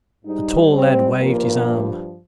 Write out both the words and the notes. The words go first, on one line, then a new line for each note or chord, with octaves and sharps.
The tall lad waved his arm.
G#2 G3 D#4
C4
G2 F3 A#3